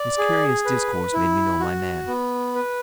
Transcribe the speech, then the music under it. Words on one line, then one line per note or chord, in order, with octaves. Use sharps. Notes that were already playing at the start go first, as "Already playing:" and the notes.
This curious discourse made me know my man.
Already playing: D5
G#4
B4
E4
F#4
B3
B4